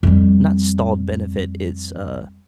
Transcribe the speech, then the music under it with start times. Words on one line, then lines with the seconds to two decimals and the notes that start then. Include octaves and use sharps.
not stalled benefit. It's, uh
0.03 F2 G3